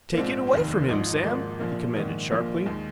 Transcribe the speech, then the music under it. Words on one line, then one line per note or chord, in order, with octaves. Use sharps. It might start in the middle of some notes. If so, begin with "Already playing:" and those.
"Take it away from him, Sam!" he commanded sharply.
A#3
A#1 G#2 F3 C4
C4
F1 D#2 D#3 A#3
G#1 G#2 F3 D#4
D#4
G#1 G#2 F3 A#3
A#1 A#2 F3 A#3
A#1 G#2 D#3
A#1 A#2 F3 A#3
D#2 D#3 G#3